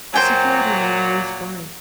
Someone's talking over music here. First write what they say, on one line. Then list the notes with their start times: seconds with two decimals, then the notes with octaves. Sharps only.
The security men released Barney.
0.14 A#2 F#3 C5 G5 G#5